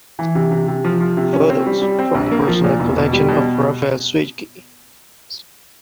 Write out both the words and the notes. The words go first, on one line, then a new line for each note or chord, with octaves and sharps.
Photos from the personal collection of Rafal Swiecki.
E3
C3
C3
C3
F3
F3
C3
C#4
C4
G3
G3
C4
A#1
A#3
F3
A#2
E1
B2
G3
B2